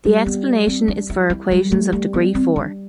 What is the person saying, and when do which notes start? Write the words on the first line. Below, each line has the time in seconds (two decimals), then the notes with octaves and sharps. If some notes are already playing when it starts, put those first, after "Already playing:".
The explanation is for equations of degree four.
0.05 G3 A3
0.26 B3
0.67 C4
0.88 D4
1.10 E4
1.30 E4
1.51 G3
1.72 G3 A3
1.92 A3
2.14 B3
2.35 C4
2.56 D4